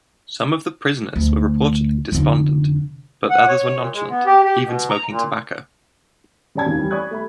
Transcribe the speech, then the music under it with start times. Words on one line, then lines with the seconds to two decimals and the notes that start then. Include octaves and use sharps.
Some of the prisoners were reportedly despondent, but others were nonchalant, even smoking tobacco.
1.16 D2
2.12 F1 D3
3.30 F#5
3.48 C#5
3.76 A#2
3.93 G#3
4.09 B3
4.26 G4
4.44 G4
4.63 B2
4.90 A#5
5.09 A#2
6.55 C#3 C#4 D5 A5 G#6
6.66 F1 D#2
6.78 E3 G3
6.91 D5 B5 C#6 D#6 F#6 G#6
7.11 A3 E5 B5